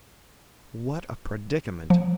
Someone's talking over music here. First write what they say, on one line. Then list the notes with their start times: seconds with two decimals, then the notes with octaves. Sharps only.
What a predicament!
1.90 F3